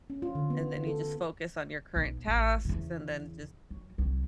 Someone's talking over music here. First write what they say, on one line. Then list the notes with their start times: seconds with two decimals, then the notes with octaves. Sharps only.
and then you just focus on your current tasks, and then just
0.10 C#4
0.22 F4
0.35 D3
0.50 B3
0.87 A4
1.96 B1
2.27 A1
2.65 E2 C#3
3.70 F#3
3.98 C2 F#3